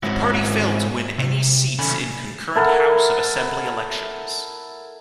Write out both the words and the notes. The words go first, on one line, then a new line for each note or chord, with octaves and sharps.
The party failed to win any seats in concurrent House of Assembly elections.
G#2 G#3 C4 C#4 E4 F#4
C3
B1 D#3 C#4 A4 G#5 B5
E4 A4 A#4 F#5